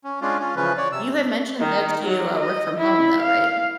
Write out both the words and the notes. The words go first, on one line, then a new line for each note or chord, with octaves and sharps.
You had mentioned that you, uh, work from home, though. Right?
C#4
G#3 C#4 D4 F4
C#4 F4
C#3 E3 F3 C#4 F4 B4
C#5 D5
C3 E6
D#3
F#3
D#5
E4
F5